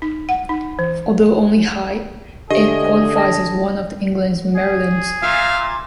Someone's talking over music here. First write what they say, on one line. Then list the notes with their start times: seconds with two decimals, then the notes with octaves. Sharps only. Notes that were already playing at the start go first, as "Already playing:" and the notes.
Although only high, it qualifies as one of England's Marilyns.
0.02 D#4
0.29 F#5
0.49 D#4
0.79 E3
2.50 D3 G4 G#4 D#5 E5
3.16 A5 A#6
4.55 G#4
5.22 A#2 F4 E5 F5